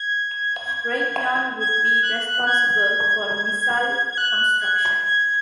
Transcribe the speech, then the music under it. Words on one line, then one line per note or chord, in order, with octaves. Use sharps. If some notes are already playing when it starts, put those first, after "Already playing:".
Raytheon would be responsible for missile construction.
Already playing: G#6
G#6
F#6
G#6
G#6
F#6
G#6
G#6